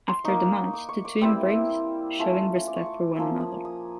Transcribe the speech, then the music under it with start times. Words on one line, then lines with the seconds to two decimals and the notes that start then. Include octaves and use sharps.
After the match the two embraced, showing respect for one another.
0.08 C6
0.24 A#3 D#4 C#6
0.73 D6
0.89 C#6
1.05 D6
1.21 G3 C4 E4 E6
2.19 A3 C#4 F4
2.68 D6
2.76 C#6
2.86 D6
3.16 F3 A#3 C#4 E6
3.40 D#6
3.65 D#6